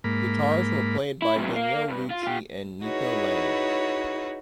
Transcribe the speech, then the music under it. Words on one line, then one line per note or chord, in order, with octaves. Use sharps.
Guitars were played by Daniele Lucci and Nico Lange.
G#2 A#3 B5
E4
C3 F#3
A#4 F5
G2
F4
F4 G4
D#4 E4 F#4 G#4 B4 C#5